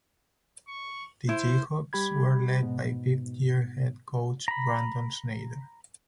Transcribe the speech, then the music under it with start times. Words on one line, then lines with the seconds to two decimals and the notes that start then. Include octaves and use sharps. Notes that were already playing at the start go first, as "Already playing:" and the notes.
The Jayhawks were led by fifth year head coach Brandon Schneider.
0.68 C#6
1.29 E4 C5
1.93 G3 G4 B5 G#6
2.62 G#2 B2 B3
4.48 A#5 B5